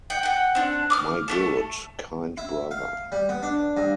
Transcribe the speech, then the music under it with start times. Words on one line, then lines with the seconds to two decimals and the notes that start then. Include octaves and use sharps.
My good, kind brother!
0.10 F#5 G5
0.23 F#5 G5
0.55 C4 D4
0.90 D6 D#6 F6
1.28 A3 C#4 A4
2.38 E4
2.71 F5
3.12 G3
3.29 B3
3.43 D4
3.77 G2